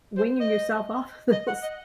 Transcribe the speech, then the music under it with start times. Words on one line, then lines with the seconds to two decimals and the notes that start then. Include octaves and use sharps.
weaning yourself off of those
0.17 C5
0.40 D#5
1.32 D#5
1.47 F#5
1.63 D#5